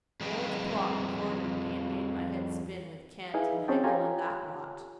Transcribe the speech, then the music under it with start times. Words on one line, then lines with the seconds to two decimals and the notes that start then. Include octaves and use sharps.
Old Plock cornered me and made my head spin with Kant and Hegel and that lot.'
0.21 F2 G3 G#4 B4 D#5 G5
3.34 D#4 E4 G#4 B4 F5 G#5
3.68 C4 C#4 G#4 D#5 G5 A5
3.84 F4 G4 A4 C#5 G#5 A#5